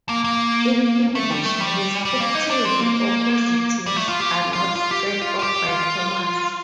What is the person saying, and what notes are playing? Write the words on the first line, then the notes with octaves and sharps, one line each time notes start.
In English, restrictive appositives are not set off by commas.
A#3
A#3
A3
G3
A3
G3
G3
A#3
D#4
D4
C4
A#3
G3
A3
F4
G4
F4
F4
F4
G4
G4
F4
F4
G4
F4